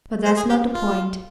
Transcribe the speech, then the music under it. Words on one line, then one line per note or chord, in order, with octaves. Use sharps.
But that's not the point.
C5
G#4
G4
F4